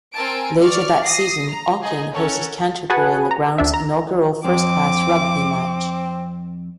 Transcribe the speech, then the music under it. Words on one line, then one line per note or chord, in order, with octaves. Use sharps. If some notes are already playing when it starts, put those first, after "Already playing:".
Later that season, Auckland hosted Canterbury in the ground's inaugural first-class rugby match.
C4 A#4 G#5 A5 E6 D7
D5 C#6 F6
D#6 A#6 C7
A#5
D#4 G#4 D#5 G#5
C#4 A4 A#4 C#5 F#5
F#4 G#4 B4 F#5 G#5 A5
A#5
D2 D4 E5
A#5
F2 C4 D6